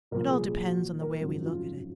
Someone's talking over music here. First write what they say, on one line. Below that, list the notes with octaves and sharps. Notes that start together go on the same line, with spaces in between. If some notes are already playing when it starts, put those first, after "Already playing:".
It all depends on the way we look at it.
C2 A#2 F3 A#4
G#4
G#4
F#4
A#4
G#1 F#2 C#3 F3
F4